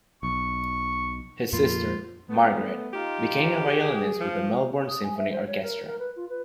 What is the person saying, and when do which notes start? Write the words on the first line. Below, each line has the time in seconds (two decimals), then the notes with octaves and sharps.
His sister, Margaret, became a violinist with the Melbourne Symphony Orchestra.
0.23 B1 C#6
1.53 F2 A#2 A#3 F4
2.30 A3 B3
2.93 D#4 F4 G4
3.66 G#4
4.20 F3
4.88 D#6
5.03 G#5
5.17 E5
5.31 C5
5.46 C#5
5.62 A#4
5.86 A#4
5.99 B4
6.16 F4
6.29 B4